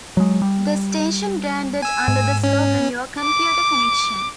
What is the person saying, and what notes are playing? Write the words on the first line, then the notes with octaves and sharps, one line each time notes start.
The station branded under the slogan "Your Computer Connection".
F#3 G#3
G3
G#5 E6
G#2
C#4
D6